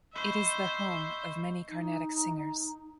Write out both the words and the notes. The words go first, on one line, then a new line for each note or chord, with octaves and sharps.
It is the home of many carnatic singers.
C5 D#5 E5 B5 C#6
D#4